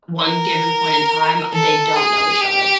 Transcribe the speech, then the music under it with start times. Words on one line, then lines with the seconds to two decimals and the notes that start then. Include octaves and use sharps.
one given point in time, they don't know each other.
0.21 A#4
1.53 A4
1.96 G#4
2.40 G4